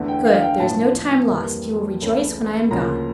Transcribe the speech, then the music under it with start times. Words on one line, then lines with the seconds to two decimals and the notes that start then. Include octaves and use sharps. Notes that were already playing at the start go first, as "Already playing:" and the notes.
"Good; there is no time lost,--you will rejoice when I am gone."
Already playing: E2 D3 A3
0.08 G5
0.25 F5
0.43 G5
0.60 A#1 A2 F3 A5
1.30 F2 E3 G3 A#3
2.01 C#2 C#3 E3 A3
2.71 D2 C#3 F3 A#3 A#5